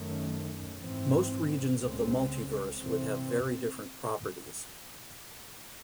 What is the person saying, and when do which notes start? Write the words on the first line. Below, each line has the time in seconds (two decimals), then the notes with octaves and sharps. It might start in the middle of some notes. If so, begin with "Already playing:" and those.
Most regions of the multiverse would have very different properties.
Already playing: F#2 D#3 A3 C#4
0.81 G#2 E3 C4
1.78 C#2 C#3 G#3 C4
2.76 C3 E3 C4